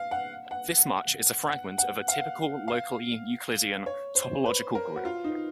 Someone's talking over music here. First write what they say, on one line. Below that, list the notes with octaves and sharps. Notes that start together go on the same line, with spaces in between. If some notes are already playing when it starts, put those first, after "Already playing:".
This much is a fragment of a typical locally Euclidean topological group.
Already playing: F5
F#5
F#5
F#5
F#5
F5
F5
C#5
C5
B4
A#4
F#4
F4
D#4